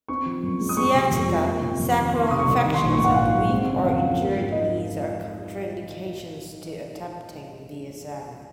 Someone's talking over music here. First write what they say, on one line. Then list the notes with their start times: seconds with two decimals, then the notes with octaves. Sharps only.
Sciatica, sacral infections and weak or injured knees are contra-indications to attempting the asana.
0.08 C4 C#6
0.26 F3
0.43 F#2
0.60 G#3
0.69 D#6
0.77 G#3 C#6
0.94 C3
1.11 F2
1.28 F3
1.46 A#3
1.62 C3
1.80 F2
1.97 D#3
2.13 A#3 C6
2.22 C#6
2.31 C3 D#6
2.39 C#6
2.48 C2
2.64 D#3
2.74 C6
2.81 A#1 C#6
2.93 C#6
2.98 G#2
3.05 F#5
3.10 F5
3.16 A#1 F#5
3.33 F#3
3.50 C4
3.67 C#3
3.76 F#5
3.84 F2 F5
4.01 F3
4.18 A#3
4.36 G#2
4.52 D#5